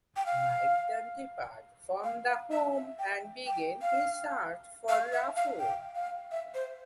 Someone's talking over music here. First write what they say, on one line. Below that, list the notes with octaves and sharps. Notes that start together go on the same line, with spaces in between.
Mike then departs from the home and begins his search for Rafo.
G5
F5
F5
F5
E5
E5
G5
G5
F5
F5
E5
F5
G5
F5
E5
C5